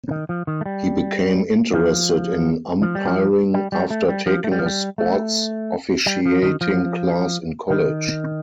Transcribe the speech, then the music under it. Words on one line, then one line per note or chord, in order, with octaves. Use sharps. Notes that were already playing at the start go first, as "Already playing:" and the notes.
He became interested in umpiring after taking a sports officiating class in college.
D#3
F3
D#3
A3
G3
F3
F3
G3
F3
G3
G3
A3
G3
F3
A3
G3
F3
G3
A3
G3
F3
D#3
F3
D#3